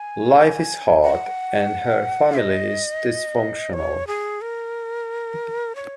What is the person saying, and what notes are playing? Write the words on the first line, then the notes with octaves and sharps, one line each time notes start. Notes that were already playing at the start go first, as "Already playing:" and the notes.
Life is hard, and her family is dysfunctional.
Already playing: G#5
F#5
D#5
C#5
G#4
A#4
C#5